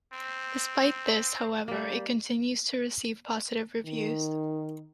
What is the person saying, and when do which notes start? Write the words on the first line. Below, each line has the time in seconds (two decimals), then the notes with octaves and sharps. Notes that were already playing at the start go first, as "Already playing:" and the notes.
Despite this, however, it continues to receive positive reviews.
0.13 C4
1.68 G3 A#3
3.85 D#3